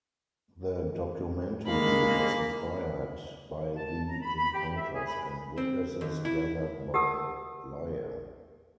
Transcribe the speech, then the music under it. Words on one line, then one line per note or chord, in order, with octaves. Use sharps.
The documentary was inspired by the encounters and witnesses gathered by Iyer.
G2 D#3 G#3 A#3 F5 B5
A5
A#5
B5
B5
G4
E5
G#4
B5
C4
D#2
E4
G4 A#4 F#5 A5 D#6 E6